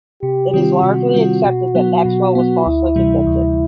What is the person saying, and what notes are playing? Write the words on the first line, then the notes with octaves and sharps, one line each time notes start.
It is largely accepted that Maxwell was falsely convicted.
C3 G4
D#3 G3 C4 F4
C3 F#4
D#3 G3 C4 F4
B2
F#3 B3
B2
F#3 B3
D2 E4
C3 E3 G3
D2